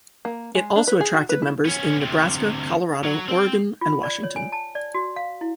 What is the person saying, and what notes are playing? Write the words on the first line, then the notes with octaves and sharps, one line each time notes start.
It also attracted members in Nebraska, Colorado, Oregon and Washington.
A#3
G#3
D4
B4
G#4
F#4
B4
E4
B3 C#4
D2 C3
F#3
C4 G5
F4
D5
C#5
G#5
A5
D5
F#4
F5
E4